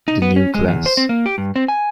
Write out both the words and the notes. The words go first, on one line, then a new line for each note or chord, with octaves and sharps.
The New Class?
D#4
B3
C#4
G#3
E2
C5
C4
A#3
G4
G2
C4
G#5